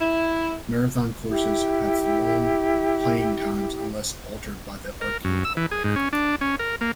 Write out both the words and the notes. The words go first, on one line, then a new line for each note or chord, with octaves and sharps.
Marathon courses have long playing times unless altered by the arcade operator.
E4
E4 G4
A#4
F#2
E6
E3
G#4
G#2
C#4
D4
C#4
A#4
A#3